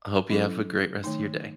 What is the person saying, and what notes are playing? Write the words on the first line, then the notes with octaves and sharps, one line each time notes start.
I hope you have a great rest of your day.
F#3 C#4 E4 A4
D#3 A3 D#4